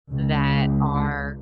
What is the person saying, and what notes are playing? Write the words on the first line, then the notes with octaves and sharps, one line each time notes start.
that are
C#2